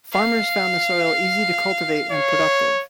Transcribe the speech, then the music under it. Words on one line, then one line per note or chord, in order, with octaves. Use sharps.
Farmers found the soil easy to cultivate and productive.
F5
C#5